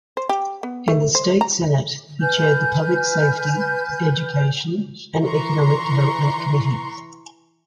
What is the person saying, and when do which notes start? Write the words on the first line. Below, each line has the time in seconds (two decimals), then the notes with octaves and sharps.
In the State Senate, he chaired the Public Safety, Education, and Economic Development committees.
0.17 C5
0.29 G4
0.63 B3
0.88 A3
1.15 C5
1.41 A#5
2.21 B4 G#5 F6 G6
5.25 E3 A#5 C6 C#6